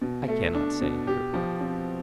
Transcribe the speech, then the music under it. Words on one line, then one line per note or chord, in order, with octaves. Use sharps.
I cannot say, he replied.
B2
A3
D4
B2
G4
F3
C4